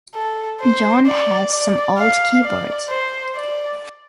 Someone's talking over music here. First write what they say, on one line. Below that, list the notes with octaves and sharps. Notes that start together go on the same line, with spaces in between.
Jon has some old keyboards.
A4
C5
D5
D5
F5
D5
C5
D5